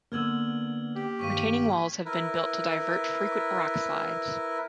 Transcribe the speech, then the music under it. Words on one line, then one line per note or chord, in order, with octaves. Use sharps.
Retaining walls have been built to divert frequent rockslides.
D3 A#3 B3 D4 E6 F6 G#6 F#7
G4
G2 D#3 F5 C#6 B6 D#7
E4 A#4 B4